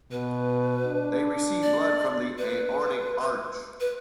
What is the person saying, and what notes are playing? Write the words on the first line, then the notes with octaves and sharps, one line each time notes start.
They receive blood from the aortic arch.
B2 B4
D4
D5
B4
B4